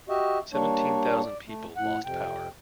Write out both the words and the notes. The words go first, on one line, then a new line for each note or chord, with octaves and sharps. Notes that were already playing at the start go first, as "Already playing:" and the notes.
Seventeen thousand people lost power.
F#4 G4 D#5 E5
G3 A#3 D4 C#5
D5
A3
A2 F#5
F2 C3 G5